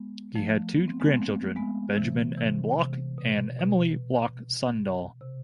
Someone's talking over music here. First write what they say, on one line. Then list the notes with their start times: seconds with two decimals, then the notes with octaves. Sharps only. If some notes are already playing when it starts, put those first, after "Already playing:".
He had two grandchildren, Benjamin N. Bloch and Emilie Bloch Sondel.
Already playing: G#3 B3
0.35 F3 A3
0.76 B3
0.88 C4
1.00 G#3 B3
1.16 A3 C4
1.56 G#3 B3
1.97 C3 E3
2.37 C3 E3
2.78 C3
3.18 B2
3.60 B2
5.21 C3